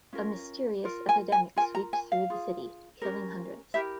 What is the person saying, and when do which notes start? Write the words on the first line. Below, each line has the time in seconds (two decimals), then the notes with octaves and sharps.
A mysterious epidemic sweeps through the city, killing hundreds.
0.13 C#4 F4 A#4
0.85 F4 A#4
1.09 G#5
1.32 G#5
1.56 F4 G#5
1.61 A#4
1.75 A#5
1.93 G#5
2.12 F5
2.30 F4 G#4
3.02 C#4 G4 A#4
3.74 E4 G4 A#4 E5